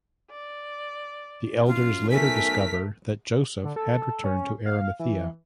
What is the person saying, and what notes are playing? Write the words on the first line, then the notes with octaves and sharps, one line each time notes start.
The elders later discover that Joseph had returned to Arimathea.
D5
F#2 F4
B1 A3 A#4 G#5 B6
D3
A4
C#4
F5
E3